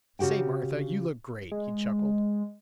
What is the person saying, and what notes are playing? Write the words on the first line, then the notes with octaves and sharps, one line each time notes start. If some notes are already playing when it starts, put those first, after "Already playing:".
'Say, Martha, you look great,' he chuckled.
C#3 F#4 G4 F#5 G5
G#3